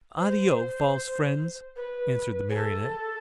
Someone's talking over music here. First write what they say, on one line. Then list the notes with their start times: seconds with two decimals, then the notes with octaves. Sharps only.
"Addio, false friends!" answered the Marionette.
0.17 C5
1.76 B4
2.50 G#4
2.55 A4